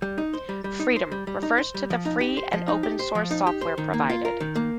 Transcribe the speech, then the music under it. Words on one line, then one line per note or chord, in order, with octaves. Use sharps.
"Freedom" refers to the free and open source software provided.
G3
D#4
C5
G3
G3
D#4
C5
G3
G3
D#4
C5
G3
F3
D#4
G4
C5
F3
D#4
G4
C5
F3
D#4
G4
C5
D#3
A#3
F4
A#4
D#3
A#3